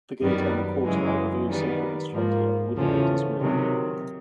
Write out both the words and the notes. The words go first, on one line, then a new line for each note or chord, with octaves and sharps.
The gate and the courtyard are very simply constructed and the woodland is real.
F#2 D#3 G3 B3
F#2 C#3 E3 G#3
D#3 G3 B3
G#2 F3 A#3
E2 C#3 F3 A3 C#4
C3 D#3 F#3